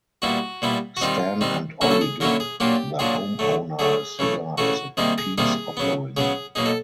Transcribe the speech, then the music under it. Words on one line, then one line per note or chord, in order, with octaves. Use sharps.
Stan and Ollie give the homeowner a cigar as a peace offering.
A#2 G3 B3 E4 F#4
A#2 G3 B3 E4
F#4
D#3 G3 C4 D#4 F4
D#3 G3 C4 D#4
D3 F#3 A#3 C#4 E4 F#4
A4
G#4
D3 F#3 A#3 C#4 E4 A#4
G#4
A#2 F#3 A#3 D4 F4 G4
A#2 F#3 A#3 D4 F4 G#4
D3 F#3 A3
D3 F#3 A3 G#4
C#3 E3 A3
C#3 E3 A3 F#4
C3 D#3 G3 A#3 D#4 G#4
G#4
C3 D#3 G3 A#3 D#4 G#4
C#3 F#3 B3
C#3 F#3 B3 G#4
B2 F#3 A#3 D#4 G#4
A4